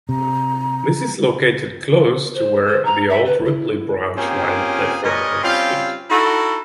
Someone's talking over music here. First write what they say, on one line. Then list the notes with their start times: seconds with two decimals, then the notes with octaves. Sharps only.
This is located close to where the old Ripley branch line platform once stood.
0.09 C3 A#5
2.35 C5
2.67 C5
2.85 A#5
3.09 E5
3.25 B4
3.45 E4
4.17 A#3 C4 C#4 F4 G4 G#4
5.03 G2 A#2 A#4 C#5 D#5
5.44 G3 C4 C#4 F4 G4 F5
6.10 D#4 E4 F#4 A4